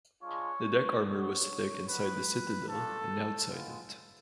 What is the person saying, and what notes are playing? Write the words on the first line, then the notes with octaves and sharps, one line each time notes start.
The deck armor was thick inside the citadel and outside it.
G#3 D4 F4 C#5
B3 F#4 C#5
B3 F#4 B4
A3 D4 F4 A4
G#3 B3 F4